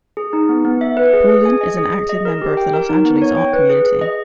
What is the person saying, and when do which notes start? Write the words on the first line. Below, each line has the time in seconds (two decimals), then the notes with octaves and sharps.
Paulin is an active member of the Los Angeles art community.
0.17 G#4
0.33 D#4
0.49 B3
0.65 B3
0.81 E5
0.97 B4
1.13 G#4
1.29 G#4
1.45 G#5
1.61 D#5
1.77 G#4
1.93 G#4
2.09 D#5
2.25 A#4
2.42 G4
2.57 G5
2.73 A#4
2.89 D#4
3.05 B3
3.22 C#5
3.37 G5
3.53 B4
3.69 G#4
3.86 G#4
4.01 D#5